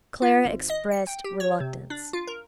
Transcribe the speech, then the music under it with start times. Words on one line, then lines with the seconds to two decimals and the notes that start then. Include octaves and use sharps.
Clara expressed reluctance.
0.22 F4
0.45 G#1
0.70 D#5
0.91 C#7
1.07 G5
1.24 G4
1.40 C#5
1.60 C3
1.90 D4
2.13 F4
2.27 A#4